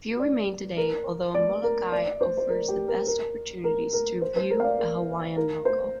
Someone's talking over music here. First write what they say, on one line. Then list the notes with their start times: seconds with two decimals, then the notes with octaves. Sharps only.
Few remain today, although Molokai offers the best opportunities to view a Hawaiian "loko".
0.19 D5
0.77 A#4
1.34 D5
1.63 A#4
1.92 D5
2.21 C5
2.37 C5
2.49 A#4
2.68 G4
2.88 A#4
3.07 A#4
3.64 A#4
3.93 A#4
4.22 C5
4.36 C5
4.50 A#4
4.60 F5
4.64 D5
4.79 A#4
5.37 A#4
5.65 C5